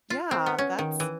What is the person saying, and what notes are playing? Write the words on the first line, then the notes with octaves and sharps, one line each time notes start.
Yeah, that's
F4
C4
B3
C#4
D#3
E3